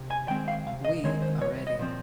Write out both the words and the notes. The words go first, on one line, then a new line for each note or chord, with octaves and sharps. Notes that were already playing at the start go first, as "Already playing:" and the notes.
We are ready.
Already playing: C3
G#5
D#3 G#3 C4 G5
F5
C3 F5
D#5
D#3 G#3 C4 C#5
C5
C2 C#5
D#5
A#2 F3 C4